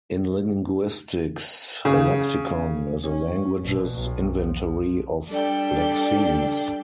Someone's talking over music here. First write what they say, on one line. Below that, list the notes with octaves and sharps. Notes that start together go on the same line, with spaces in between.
In linguistics, a lexicon is a language's inventory of lexemes.
C#3
C#4
A#1 B2
B1
F3
G3 D4 A4 D5 G5